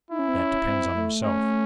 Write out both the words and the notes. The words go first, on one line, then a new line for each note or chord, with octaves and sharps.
'That depends on himself.
D#4 E4
C#4
C4
C#4
C4
A3
C#4